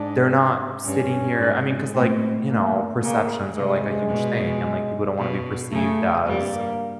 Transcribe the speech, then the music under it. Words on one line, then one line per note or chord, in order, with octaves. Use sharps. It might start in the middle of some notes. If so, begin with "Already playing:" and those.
They're not sitting here I mean, 'cause, like, you know, perceptions are, like, a huge thing, and, like, people don't wanna be perceived as,
Already playing: G#2 D4
G2 C#4
G#2
A2 C4
A#3
C#3 A#3
C3 G#3
B2
B2
C#3 A3
G2 G3 A#3